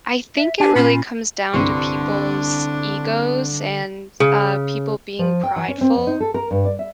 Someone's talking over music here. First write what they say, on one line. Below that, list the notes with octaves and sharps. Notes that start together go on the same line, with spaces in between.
I think it really comes down to people's egos and, uh, people being prideful
E5
D4 G4 G#5 A5
A#2 C#4 F4 B5
C2 G2 D3 C4 D4 C6 C#6
C#3
F3
G5
E3
C#4
C4
F2
D#4
A4
A#4
G2
D5
E5